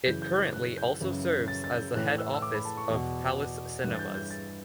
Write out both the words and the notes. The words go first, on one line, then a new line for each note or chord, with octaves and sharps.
It currently also serves as the head office of Palace Cinemas.
F#2 C#3 E3 G6
G6
A6
F#6
G6
F#2 C#3 E3
A6
A6
G6
A2 E3 F#6
E6
E6
D6
B5
A5
C#6
E2 B2
G2 E3 F#6
A6
G6
G6
A6